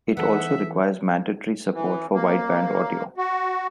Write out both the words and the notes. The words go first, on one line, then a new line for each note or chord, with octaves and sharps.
It also requires mandatory support for wideband audio.
E3 B3 A4 E5 F#5
E3
A#3
F#4